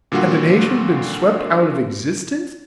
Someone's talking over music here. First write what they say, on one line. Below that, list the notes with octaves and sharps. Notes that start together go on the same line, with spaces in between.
Had the nation been swept out of existence?
A#2 D3 G3 F4 F#4